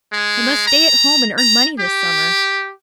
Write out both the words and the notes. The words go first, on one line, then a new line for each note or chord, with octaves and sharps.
I must stay at home and earn money this summer.
G#3
A#5
A#5
G4